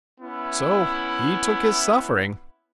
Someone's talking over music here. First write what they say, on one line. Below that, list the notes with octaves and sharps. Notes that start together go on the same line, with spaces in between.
So 'he took his suffering.'
B3 C#4 E4